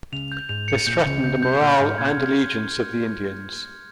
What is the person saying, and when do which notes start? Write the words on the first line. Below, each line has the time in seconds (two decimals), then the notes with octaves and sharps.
This threatened the morale and allegiance of the Indians.
0.12 C#2 C#3 F7
0.32 G6
0.49 G#2 F7
0.68 C#7
0.87 A#2 G6
1.05 C#2 C#3 G6
1.24 C#2 C#3 G6
1.42 C2 C3 G6
1.61 A#2 F6
1.79 G#2 C6
1.98 A#2 G#6
2.17 C3 F6